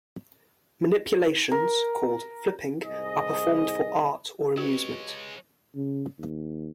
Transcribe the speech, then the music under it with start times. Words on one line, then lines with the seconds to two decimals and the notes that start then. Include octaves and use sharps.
Manipulations, called "flipping", are performed for art or amusement.
1.51 A#4
2.83 C2 G#2 G#4 D#5
4.58 G#3 F#4 G4 B4 C#5
5.76 C#3
6.19 D#2